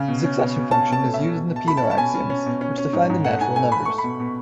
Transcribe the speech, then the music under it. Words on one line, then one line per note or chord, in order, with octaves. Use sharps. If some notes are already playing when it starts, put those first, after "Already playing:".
The successor function is used in the Peano axioms which define the natural numbers.
Already playing: C#3
B2
C#4
B2
B2
C#4 A5
B2 A5
A3
B2 E5
B2
B2
A5
A3 B5
A5
C#4
A5
B2 G#5
C#4
C#4
B2
C#4
C#4
G#2
G#2
A3 F#5
G#2 G#5
A3 G#5
A3 B5
A3 C#6
B5
B2
B2